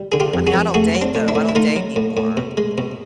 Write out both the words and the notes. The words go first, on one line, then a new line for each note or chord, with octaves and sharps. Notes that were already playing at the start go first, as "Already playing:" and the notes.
I mean, I don't date, though, I don't date anymore.
Already playing: G3
D3 G#4
F4 G4
F2
F#4 G#4
F2
A3 F#4 G#4
F#3
C4 D4
A2
D4 E4
A2
E4
A3 D#4 F4
F#3
A2
A2
B2
G#3
B2